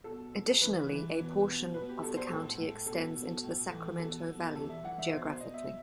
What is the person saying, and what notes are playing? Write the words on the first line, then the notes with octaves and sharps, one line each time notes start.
Additionally, a portion of the county extends into the Sacramento Valley, geographically.
B2 A4
B2
E3 B4
E3
B2
B2
B2 B4
G4
B2 A4
C5
A2 A4
A2
B2 A4
B2
A2
E3
B2 A4
B2
G4
E3 A4
E5
E3 F#5
E5
B2 C5
C5
B2 D#5
E5